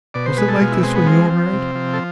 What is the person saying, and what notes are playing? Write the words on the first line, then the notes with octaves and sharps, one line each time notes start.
"Was it like this when you were married?"
B2 D5
C5
G#3 B4
A4
B2 F4
E4
G#3 C4
B3
F3 C4
F3
C3
F3
A4